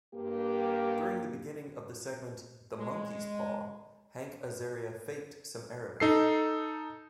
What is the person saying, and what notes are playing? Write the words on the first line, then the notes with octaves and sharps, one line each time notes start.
During the beginning of the segment "The Monkey's Paw", Hank Azaria faked some Arabic.
G2 A#3 G4
G#3
D#4 A4 C7